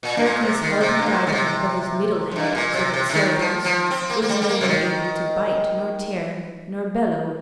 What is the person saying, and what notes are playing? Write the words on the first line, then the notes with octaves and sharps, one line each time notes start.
Heracles held him by the neck of his middle head so that Cerberus was neither able to bite nor tear nor bellow.
A#2
G2
A#2
C3
D#3
C3
G2
A#2
D#3
C3
F2
G2
A#2
C3
C3
C3
D#3
F3
F3
C4
A#3
A#3
G3
G3
A#3
C3
D#3